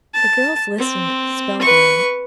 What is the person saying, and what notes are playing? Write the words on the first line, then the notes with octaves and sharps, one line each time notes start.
The girls listened, spellbound.
A5
C4
B4 C#6